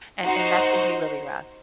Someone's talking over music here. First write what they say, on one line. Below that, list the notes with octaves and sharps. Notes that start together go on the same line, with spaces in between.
and and that can be really rough.
D#4 F#4 C5